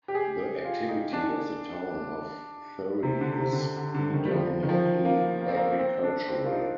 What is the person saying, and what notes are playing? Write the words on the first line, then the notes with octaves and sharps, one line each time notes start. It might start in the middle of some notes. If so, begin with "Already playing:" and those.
The activity of the town of Thury is predominantly agricultural.
G4
G#4
G4
F4
D#4
D4
C3
D3
C3
D3
C3
D3
D3
D#3
G3
F3
D#3
F3
A#3
A#3
C4
A#3
C4
D4
C4
F4
D#4